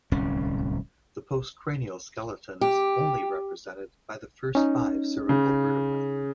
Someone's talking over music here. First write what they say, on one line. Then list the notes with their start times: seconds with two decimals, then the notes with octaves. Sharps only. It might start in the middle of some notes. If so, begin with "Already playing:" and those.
The postcranial skeleton is only represented by the first five cervical vertebrae.
0.12 D1 C2 C#4
2.61 G4
4.55 C#4 D#4
5.29 C#3